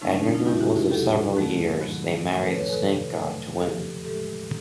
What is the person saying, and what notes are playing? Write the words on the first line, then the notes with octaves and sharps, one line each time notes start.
At intervals of several years, they marry the snake-god to women.
F2 C#3 F#3 A3 C#4 D#4
D4
C#4 D#4
D#4 F4
E2 C3 E3 G#3 E4 F#4
G4
E4 F#4
F#4 G#4
E2 B2 F#3 G4 A4
G2 D#3 F#3 A3
G#2 D#3 F#3
A2 F3 A3
A4 B4
B4 C#5
F2 C3 D#3 A4 B4
B2 F#3 A3
E2 C#3 F3 G4 A4
A2 E3 G#3 G4 A4